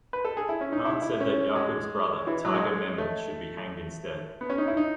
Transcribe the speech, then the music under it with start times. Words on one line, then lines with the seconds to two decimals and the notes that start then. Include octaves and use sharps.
Khan said that Yakub's brother, Tiger Memon should be hanged instead.
0.13 B4
0.25 A4
0.37 G#4
0.49 E4
0.61 C#4
0.73 D#4
0.85 E4
1.02 E4
1.20 C#4
1.56 G#3
2.27 E3
2.45 F#3
2.54 G#3
2.98 A3
4.41 B3
4.50 C#4
4.58 D#4
4.68 E4
4.77 D#4